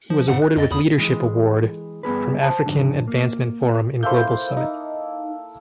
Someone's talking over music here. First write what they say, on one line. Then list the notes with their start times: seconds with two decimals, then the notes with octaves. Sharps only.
He was awarded with leadership award from African Advancement Forum in global Summit.
0.10 F3
0.28 G#2 C#3 F#5
0.42 F#6
0.57 F2 D#5 A6
0.71 E2 B5 D#6
0.98 E3 G#3
2.03 G2 B3 G#4 B4
2.42 C5 A5
2.66 F2 G#2 D3
3.08 A#3
4.03 A#3 E4 A4 C5 G6
4.57 D#4